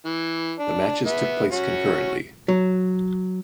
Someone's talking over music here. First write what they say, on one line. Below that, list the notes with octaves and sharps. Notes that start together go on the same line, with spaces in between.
The matches took place concurrently.
E3
D4
B3 E5
C#4 F#4
F#3